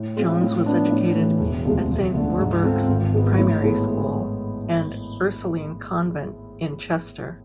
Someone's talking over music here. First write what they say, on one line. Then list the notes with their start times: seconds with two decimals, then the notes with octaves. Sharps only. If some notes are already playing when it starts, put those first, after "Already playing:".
Jones was educated at Saint Werburgh's Primary School and Ursuline Convent in Chester.
Already playing: A2
0.16 G#3 C4 F4 G#4
0.41 A2
0.66 F3 B3 D4
0.90 A2
1.15 E3 A3
1.40 E1
1.65 D2 C3 F3 G#3
1.89 E1
2.14 D2 D3 A3
2.39 G#2
2.63 G#3 C4 F4 A4
2.88 G#1
3.13 G#2 G#3 B3
3.38 A2
3.63 G#3 B3 E4 A4